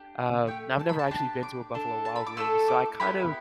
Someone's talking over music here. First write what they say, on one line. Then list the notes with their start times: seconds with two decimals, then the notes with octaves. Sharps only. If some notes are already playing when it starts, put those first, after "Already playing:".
um, I've never actually been to a Buffalo Wild Wings, so, I kind of
Already playing: D4 G4
0.47 A3 G4 G5
0.79 A5
0.89 B5
0.99 A5
1.11 D4 G4 A5
1.43 D6
1.74 D4 A4
2.05 A5
2.16 B5
2.27 D6
2.37 A3 E4 A4 E6
2.68 D6
3.00 B3 E4 G4 B5